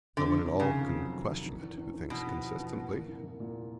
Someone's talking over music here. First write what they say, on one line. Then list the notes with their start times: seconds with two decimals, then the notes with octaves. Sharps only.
'No one at all can question it who thinks consistently.'
0.17 F2 D3
0.32 C3
0.49 D#3
0.60 C#3
0.65 D#3
0.81 F2
0.97 F#3
1.13 D#3
1.29 D#3
1.46 E2
1.63 E2
1.78 E2
1.94 E2
2.10 E2 B2
2.27 E2
2.43 F3
2.60 E2
2.75 A#2
2.91 A#3
3.08 C2
3.23 C2
3.40 A#2